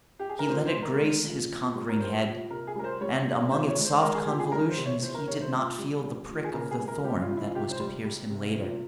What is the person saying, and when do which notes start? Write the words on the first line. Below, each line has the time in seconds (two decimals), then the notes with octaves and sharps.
He let it grace his conquering head, and, among its soft convolutions, he did not feel the prick of the thorn that was to pierce him later.
0.19 G4
0.29 G#4
0.39 A#4
0.49 A#2 C5
0.65 C5
0.74 G#3
0.83 A#4
0.99 G#3
1.24 A#2
1.50 A#2
1.75 G3
1.89 A#4
2.00 G3 C5
2.25 A#2
2.50 C3 A#4
2.67 G#4
2.75 G3 A#4
2.84 C5
3.01 G3 C#5
3.26 C3
3.51 A#2 C5
3.68 C#5
3.77 G#3
3.85 C5
4.01 G#3 A#4
4.14 G#4
4.27 A#2 G4
4.39 G#4
4.52 G3 A#4
4.69 C5
4.77 C3
4.86 C#5
5.02 E3 C5
5.14 A#4
5.27 C3 C#5
5.41 C5
5.53 A#2
5.78 G3
6.03 G3
6.29 A#2
6.44 G#4
6.54 C#3 A#4
6.71 G#4
6.79 G3
6.88 A#4
7.04 G3 G4
7.21 F4
7.29 C#3
7.37 E4
7.48 F4
7.55 C3 G4
7.71 C5
7.80 G3
8.05 G3
8.30 C3
8.55 A#2